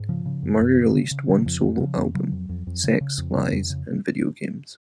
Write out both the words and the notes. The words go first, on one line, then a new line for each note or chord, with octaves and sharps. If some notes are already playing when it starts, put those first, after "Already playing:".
Murray released one solo album "Sex Lies and Videogames".
Already playing: G#2
C#3 F3
C#3
F#2
F#2
C#3
C#3
C#3
C#3
F#3
F2 F3
F2
C#3 F3
F2
C#3 F#3
F2
F2
F2
C#3
C#3
F2
C#3
F2
C#3